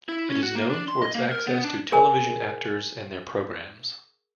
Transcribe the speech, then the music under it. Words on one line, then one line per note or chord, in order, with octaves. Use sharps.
It is known for its access to television actors and their programmes.
E4
C#4
F#4
A#3
D4
C6
D#5
A#3
A#4
B3
D4
G#4 A#4 G#5